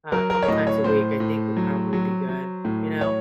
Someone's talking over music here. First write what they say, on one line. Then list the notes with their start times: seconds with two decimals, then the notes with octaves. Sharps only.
uh, couple times a week, I think would probably be good, you know?
0.12 F#3 A#4
0.30 A#4
0.43 C#5
0.48 A2 D#5
0.67 C#5
0.84 A2 C5
1.20 A2
1.57 F#3
1.93 F#3
2.29 F#3
2.65 A2
3.01 C#5